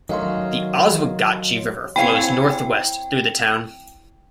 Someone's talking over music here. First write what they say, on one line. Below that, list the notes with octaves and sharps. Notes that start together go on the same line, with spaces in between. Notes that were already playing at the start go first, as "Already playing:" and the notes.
The Oswegatchie River flows northwest through the town.
D#3 F#3 A3 C#4 D#5 F5 C6
C4 E4 C#5 F5 G5 G#5 B5